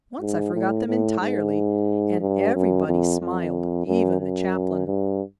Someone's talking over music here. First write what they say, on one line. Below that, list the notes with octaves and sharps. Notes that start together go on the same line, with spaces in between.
Once I forgot them entirely, and everybody smiled--even the chaplain!
G#2
A2
A2
G#2
G2
F#2
F2
F2
F#2
F#2
G2